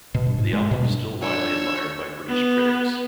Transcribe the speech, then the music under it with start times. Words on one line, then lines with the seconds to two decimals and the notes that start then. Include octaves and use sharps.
The album is still widely admired by British critics.
0.14 B2
0.27 G2
0.38 G#2
0.53 G#3
0.71 B2
0.84 G2
1.23 D4 C#5 E6
2.29 B3